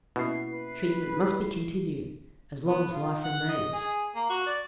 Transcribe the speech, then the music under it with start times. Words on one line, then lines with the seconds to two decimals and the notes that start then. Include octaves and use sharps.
Treatment must be continued as long as life remains.
0.16 B2 A#3 C#4 E4 C7
0.49 B4
2.65 B3
2.91 F4
3.24 F#5
3.49 D#5
3.73 G#4
4.16 A#3
4.30 F#4
4.47 D5